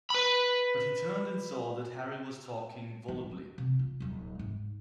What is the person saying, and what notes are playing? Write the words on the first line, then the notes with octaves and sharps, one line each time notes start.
But he turned and saw that Harry was talking volubly.
B4 B5
D#3 F3
A#3
C3
F4
D#1 F#3
G#2